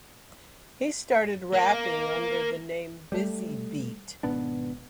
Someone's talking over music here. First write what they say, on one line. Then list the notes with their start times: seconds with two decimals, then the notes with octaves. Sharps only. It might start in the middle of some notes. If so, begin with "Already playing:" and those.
He started rapping under the name Busy Beat.
1.53 A#3
3.12 G3 A3
4.23 G#1 B2 B3 D4